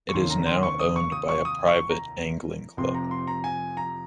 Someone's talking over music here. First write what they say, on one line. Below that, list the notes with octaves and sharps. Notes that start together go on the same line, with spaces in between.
It is now owned by a private angling club.
C#6
F1 D#2 D#3 A#3 C#4 C6
A#5
C6
C#6
D#6
C#6
D#6
C#6
D#6
C#6
A#5
F1 F2 C3 F3 C4 C6
A#5
C6
A#5
G#5
A#5